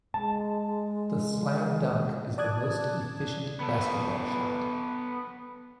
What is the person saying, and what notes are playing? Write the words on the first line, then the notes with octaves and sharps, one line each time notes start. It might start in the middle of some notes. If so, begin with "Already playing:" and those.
The slam dunk is the most efficient basketball shot.
G#3 A5
D5 A5 D6 D#6 F#6 G#6
B3 A4